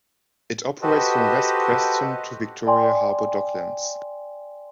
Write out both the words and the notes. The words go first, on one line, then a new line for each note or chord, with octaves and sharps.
It operates from West Preston to Victoria Harbour Docklands.
F#4 G4 A4 B4 C5 D#5
D5 G5 G#5 C6